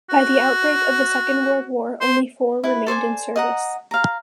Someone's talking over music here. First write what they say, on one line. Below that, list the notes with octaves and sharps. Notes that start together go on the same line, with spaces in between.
By the outbreak of the Second World War, only four remained in service.
F#4
C5
E4 B4
A4 C5 D5 G#5
D#5 F#5 A#5
F5 A#5